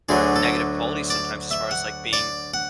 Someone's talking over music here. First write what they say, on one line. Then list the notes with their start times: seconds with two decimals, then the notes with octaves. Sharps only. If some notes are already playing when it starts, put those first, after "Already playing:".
negative qualities sometimes as far as, like, being
0.09 D2 D3 F#3 G#4
0.36 A4
1.10 D5
1.51 E5
1.71 F#5
2.13 D5
2.54 F#5